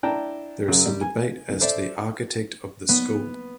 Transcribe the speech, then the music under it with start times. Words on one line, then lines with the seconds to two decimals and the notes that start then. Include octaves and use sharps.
There is some debate as to the architect of the school.
0.03 D4 E4 G5 A5 A#5
0.68 F#2 C#3 F#3
0.86 G3
1.01 G#5
1.60 A4 C5 D5 E5
2.89 B3